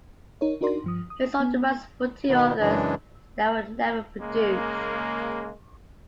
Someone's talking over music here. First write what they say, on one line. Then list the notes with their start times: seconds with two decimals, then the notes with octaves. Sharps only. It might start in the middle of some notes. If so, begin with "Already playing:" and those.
He sold the rights for two others that were never produced.
0.41 D#4 A#4 C#5
0.61 D4 D#4 F#4 A#4 D5 C6
0.84 G2 F3 D#6
1.10 D#6
1.40 B3
2.29 B2 D#3 B3
2.60 F#2 C#3 E3 G#3 D4
4.21 C#3 G#3 A#3